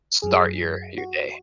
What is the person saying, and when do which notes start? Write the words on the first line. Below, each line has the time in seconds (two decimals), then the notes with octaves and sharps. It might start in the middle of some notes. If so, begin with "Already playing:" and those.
start your your day.
0.22 F#2 F#3 G#4
0.98 F#4